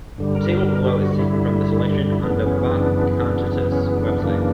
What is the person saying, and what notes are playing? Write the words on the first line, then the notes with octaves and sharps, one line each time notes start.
The table below is taken from the selection on the Bach-Cantatas website.
G2 D3 G3
A#4
A#4
A#4
G4
F#4
E4
E4
F#2 C#3 E3 B3 D4
C#4
D4
D4
C#4
D4
F#2 C#3 E3 A#3